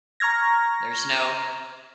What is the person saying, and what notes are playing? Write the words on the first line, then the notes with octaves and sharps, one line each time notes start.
There's no
A#5 C#6 F6 G#6 A#6